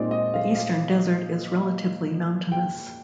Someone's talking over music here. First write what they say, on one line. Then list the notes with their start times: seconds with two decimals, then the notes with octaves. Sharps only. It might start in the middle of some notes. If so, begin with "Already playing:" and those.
The Eastern Desert is relatively mountainous.
Already playing: A#2 G#3 C4 D#4 D5
0.11 D#5
0.34 F5
0.55 F5
2.52 G5